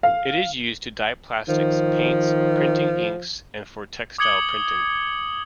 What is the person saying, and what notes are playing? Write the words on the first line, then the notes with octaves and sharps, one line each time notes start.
It is used to dye plastics, paints, printing inks, and for textile printing.
F5
D#3 F3
D6 D#6 G#6 C#7 F#7 G7